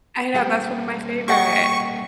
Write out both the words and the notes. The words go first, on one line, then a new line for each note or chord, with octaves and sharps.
I know, that's one of my favorite.
G3 A#3 G4 F#5 G5
G4 D#5 F#5 C#6